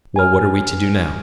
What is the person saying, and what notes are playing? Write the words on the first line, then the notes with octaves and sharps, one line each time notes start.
Well, what are we to do now?
G#5 F6